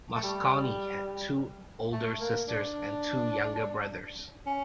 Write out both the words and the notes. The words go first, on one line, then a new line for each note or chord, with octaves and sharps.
Mosconi had two older sisters and two younger brothers.
A3
G3
A3
A#3
D4
C#4